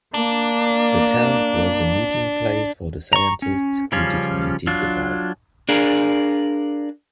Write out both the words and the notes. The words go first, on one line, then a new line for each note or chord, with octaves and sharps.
The town was the meeting place for the scientists who detonated the bomb.
A#3 D4
A#5 C#6
C#4
C#3 F3 G3 C#4 F4
F#3 D4 F4
D4 G#4 A#4 F5